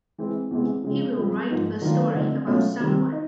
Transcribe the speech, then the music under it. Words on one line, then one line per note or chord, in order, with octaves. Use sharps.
He will write a story about someone.
E3 G#3 C4
E2 C3 E3 G#3 C4
C#3 F3 G#3 C4 F4
A#2 F3 G#3 C4
G#2 F3 A#3 D#4
D#3 F#3 A3 D4 F4
D3 F3 A3 C4 D#4
B2 F#3 A3 C#4 F4
C3 D#3 G3 C4
D#4